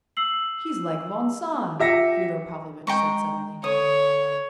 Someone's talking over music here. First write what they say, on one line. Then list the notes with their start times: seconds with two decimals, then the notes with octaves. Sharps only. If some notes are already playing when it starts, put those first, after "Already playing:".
"He's like von Sohn," Fyodor Pavlovitch said suddenly.
0.17 E6 C7 F#7
1.80 F4 G4 E5 F#5 A#6 C#7
2.87 G#3 G5 A#5 C#6
3.64 D3 C#5 D#6